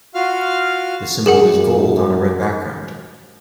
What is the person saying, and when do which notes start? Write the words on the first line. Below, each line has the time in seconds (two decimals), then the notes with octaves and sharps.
The symbol is gold on a red background.
0.15 F4 F#4 F5 F6
1.26 F#2 G#4 A#4 F#5